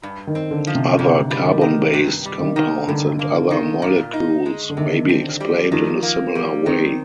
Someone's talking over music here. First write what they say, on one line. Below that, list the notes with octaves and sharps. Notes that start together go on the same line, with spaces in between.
Other carbon based compounds and other molecules may be explained in a similar way.
G2
D#3
C4
D3
F3
C3
G#2 D3
G3
D#3
D#3
G2
G3
D#3
D#3
G2 D3
A#3
D#3
A#2
D#4
G#3
D3
C3 D#3
C4
G3
D#3 F3
A#3
G3
D#3 C4